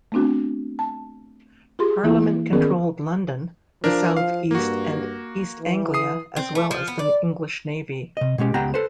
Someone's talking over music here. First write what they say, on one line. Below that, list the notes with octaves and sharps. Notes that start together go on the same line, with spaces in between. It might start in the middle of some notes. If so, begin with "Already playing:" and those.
Parliament controlled London, the south-east and East Anglia, as well as the English navy.
A3 B3 C4 D4 F#4
A5
F4 G4 G#4 C6
E3 A#3 E4 F4
D#3 B3 C#4 G#4 A#4 D5
F3 D4 A#4
F3 F5
G2 A#3 F#4
E3
D#6 C7
C4
A3
F3
B3
D5
C3 D#5
B2 G#3 C#4 G4
C#2 B3 G4 F#5 G5 A#5
A4 B4 C5